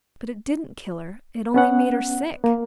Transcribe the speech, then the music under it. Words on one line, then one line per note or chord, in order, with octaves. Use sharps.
But it didn't kill her; it only made her sick.
B3 C#4 F#5
A#3